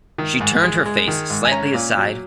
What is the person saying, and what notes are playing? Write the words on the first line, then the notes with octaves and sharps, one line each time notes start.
She turned her face slightly aside.
D#3
G#2
G#3
G#3
D#3
G#2
G#5
C#4 A#5
A#2
F#3